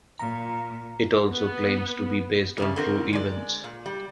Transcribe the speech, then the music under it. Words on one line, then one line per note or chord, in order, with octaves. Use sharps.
It also claims to be based on true events.
A#2 A#5
B3
F#2 C#3 G3
D3 C4 A#4
G#3 D5
A#2
G3